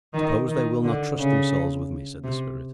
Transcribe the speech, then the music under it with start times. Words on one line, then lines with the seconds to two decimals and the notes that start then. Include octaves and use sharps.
"Suppose they will not trust themselves with me?" said the spirit.
0.13 D#3
0.49 D#3
0.84 D3
1.18 C#3
2.24 C3